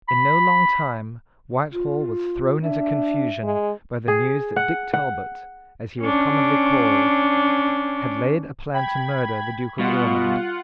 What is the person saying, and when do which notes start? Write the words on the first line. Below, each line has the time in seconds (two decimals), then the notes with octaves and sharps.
In no long time Whitehall was thrown into confusion by the news that Dick Talbot, as he was commonly called, had laid a plan to murder the Duke of Ormond.
0.09 B5
1.73 F4
2.63 D4 E5
3.43 G#3
4.08 G#4
4.56 F#5
4.93 F#5
6.01 C#4 D4
8.74 G5 B5 G#6
9.79 B2 G3 F4 F#5